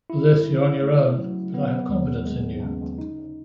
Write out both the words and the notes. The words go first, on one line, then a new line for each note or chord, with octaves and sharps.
For this you’re on your own, but I have confidence in you.
E4
C#3
A3
F#3
B3
D#2
G#3
C#3
D#4